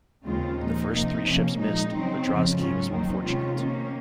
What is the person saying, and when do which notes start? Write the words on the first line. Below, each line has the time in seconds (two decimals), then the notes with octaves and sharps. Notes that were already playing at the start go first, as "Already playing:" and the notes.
The first three ships missed, but "Drazki" was more fortunate.
0.24 D#2 C#3 G#3 C4 F4
0.58 A#2 F3 G#3 D#4
0.91 C3 F3 A#3 D#4
1.24 C3 F3 A#3 C#4
1.57 A#2 G#3 D#4
1.91 C#3 F#3 C4 D#4
2.23 F2 C#3 F3
2.57 G#2 F#3 C#4 F4
2.90 D#2 D#3 F#3 C4 D#4
3.23 C3 D#3 G#3 C#4 F4
3.56 D#3 A#3 C#4